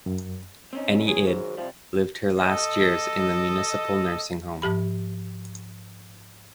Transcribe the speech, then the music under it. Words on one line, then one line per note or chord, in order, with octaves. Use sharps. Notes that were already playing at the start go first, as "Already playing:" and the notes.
Enni Id lived her last years in the municipal nursing home.
F#2
C4 C#4 D#4
D#3 E3 F#3 G#4
G#2
C2 F3 G3
A4 D#5
G#2 F3 G4 B5